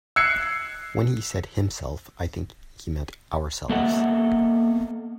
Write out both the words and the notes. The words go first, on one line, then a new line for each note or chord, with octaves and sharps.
When he said himself I think he meant ourselves.
E6 F#6 G#6 C7 C#7
A#3 B3 A4 D#5 E5 F#5